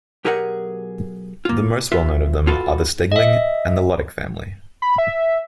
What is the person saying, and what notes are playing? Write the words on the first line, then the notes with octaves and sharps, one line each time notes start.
The most well known of them are the Stegling and the Ludick family.
B1 G4 G#4 A#4 D#5 F#5
A#3 F4
F4 B4 E5
F4 F#4 A4 B4
D#5 E5
B5
E5